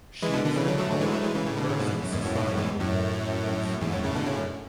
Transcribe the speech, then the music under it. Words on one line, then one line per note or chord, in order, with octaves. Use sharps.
She has been called the first society reporter in Sweden.
E3 G#3
B2 D3
B2 D3
C#3 E3
D3 F#3
F#3 A3
D3 F#3
E3 G#3
F#3 A3
E3 G#3
C#3 E3
A2 C#3
B2 D3
A2 C#3
G#2 B2
E2
F#2
E2 G#2
F#2 A2
G#2 B2
F#2 A2
E2 G#2
F#2 A2
E2 G#2
F#2 A2
A2 C#3
B2 D3
A2 C#3
F#2